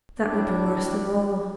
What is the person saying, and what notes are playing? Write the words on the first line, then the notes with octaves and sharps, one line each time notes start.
That would be worse than all.
A2 G3 D4